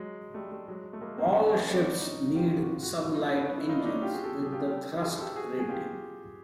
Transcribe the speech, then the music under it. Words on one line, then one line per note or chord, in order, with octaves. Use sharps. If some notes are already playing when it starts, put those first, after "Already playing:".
All ships need sublight engines with a Thrust Rating.
Already playing: F#3 G#3
G3 A3
G3 A3
F#3 G#3
A3
G#3 A#3
A#3 C4
B3 C#4
C4 D4
C#4 D#4
F4 G4
F4
F#4
F4
F#4
F4
F#4
D#4 F4
B3 C#4
E4
D#4 F4
D4
C#4 D#4
F4 G4
F#4 G#4
G4 A4
G#4
F4 G4
G4 A4
F#4 G#4
G4 A4
F#4 G#4
G#4
F4 G4